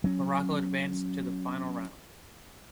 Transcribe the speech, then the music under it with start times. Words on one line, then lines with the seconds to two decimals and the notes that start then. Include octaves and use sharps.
Morocco advanced to the Final Round.
0.04 F#3 C#4